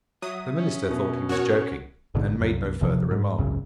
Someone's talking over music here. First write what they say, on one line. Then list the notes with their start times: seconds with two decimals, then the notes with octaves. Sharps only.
The minister thought he was joking, and made no further remark.
0.22 F#3 E5 D#6
0.57 C#4
0.90 B2
1.29 F#4 A#4 C#5
2.15 A1 G#2 B2 D3
2.41 C2 F#2
2.81 F#1 B1 C3 F3
3.11 G#2
3.38 G#1 C#2 F#2 C#3